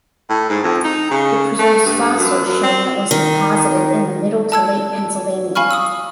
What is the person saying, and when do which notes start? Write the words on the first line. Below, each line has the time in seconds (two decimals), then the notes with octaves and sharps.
It preserves fossils showing it was deposited in the middle to late Pennsylvanian.
0.29 A2
0.50 G#2
0.64 F2
0.84 D#4
1.11 C#3
1.59 A3
1.86 G2
2.18 F#2
2.47 F#2
2.63 C4
3.11 D#3
4.52 A5 E6 G#6
5.55 F5 G#5 B5 C#6 F6
5.71 D#6 E6